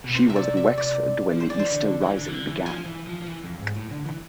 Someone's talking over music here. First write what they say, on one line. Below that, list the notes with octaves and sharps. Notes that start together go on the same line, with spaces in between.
She was in Wexford when the Easter Rising began.
B2
C3 C5
E5
D5
E5
D5
F3
E3 C5
D5
C5
D3
E3
D3
E3
D3
E3
F3 G#5
E3
F3
F3
E3
F2
G#2
A2
D3
E3